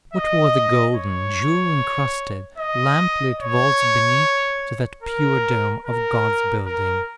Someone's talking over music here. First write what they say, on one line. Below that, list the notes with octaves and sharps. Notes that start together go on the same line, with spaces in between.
What were the golden, jewel-incrusted, lamp-lit vaults beneath to that pure dome of God's building!
D#5
C#5
D#5
C#5
A#4
A#4
A#4